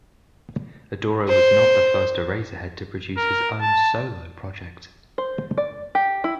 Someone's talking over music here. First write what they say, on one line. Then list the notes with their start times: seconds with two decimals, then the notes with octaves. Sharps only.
Adoro was not the first Eraserhead to produce his own solo project.
1.29 C5
3.17 A#4
3.61 A5
5.18 C5
5.58 D5
5.95 G4
6.24 E4